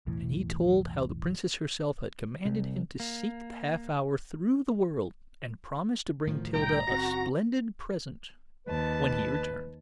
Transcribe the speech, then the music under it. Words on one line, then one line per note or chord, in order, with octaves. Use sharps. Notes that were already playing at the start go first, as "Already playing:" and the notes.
And he told how the Princess herself had commanded him to seek the half-hour through the world, and promised to bring Tilda a splendid present when he returned.
B1 E2 A2 E3
C2
A#3
A2 D#3 F3
C2 A2 G3 G5 A#5
F#1 C4 F#4 A#6
D#2 B4 A5